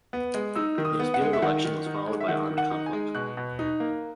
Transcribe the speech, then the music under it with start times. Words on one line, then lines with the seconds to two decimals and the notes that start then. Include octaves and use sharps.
The disputed election was followed by armed conflict.
0.13 B3
0.34 G#3
0.55 D#4 E6
0.78 D#3
0.85 D#6
1.00 B3
1.14 F#5
1.21 G#3
1.33 E5
1.42 D#3 F#5
1.65 D#3
1.86 D#4
2.07 G#3
2.21 E5
2.28 D#3 F#5
2.50 D#3
2.58 F#5
2.71 D#4
2.86 G#5
2.93 G#3
3.15 B2 F#6
3.37 B2
3.59 D#4
3.80 A#3